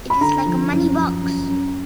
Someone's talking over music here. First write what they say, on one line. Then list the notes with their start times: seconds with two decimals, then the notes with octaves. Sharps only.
It is like a moneybox!
0.10 B5
0.21 D3 A#5
0.46 F3
0.71 F#2
0.97 F3
1.22 F#2
1.47 F#2